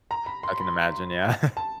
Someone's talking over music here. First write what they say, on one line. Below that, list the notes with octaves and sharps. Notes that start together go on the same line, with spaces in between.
I can imagine, yeah.
A#5
B5
C6
B5
A5